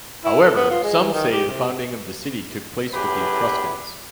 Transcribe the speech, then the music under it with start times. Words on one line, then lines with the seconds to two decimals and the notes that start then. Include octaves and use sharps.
However, some say that the founding of the city took place with the Etruscans.
0.24 E4
0.42 A4
0.55 B3
0.70 F4
0.83 G#3
1.00 E3
1.13 D#3
1.32 G4
1.49 C3
2.93 F#2 A2 G4 G#4 B4 B5